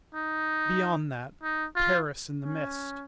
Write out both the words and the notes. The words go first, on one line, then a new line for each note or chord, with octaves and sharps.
Beyond that, Paris in the mist!
D#4
D#4
F4
C#4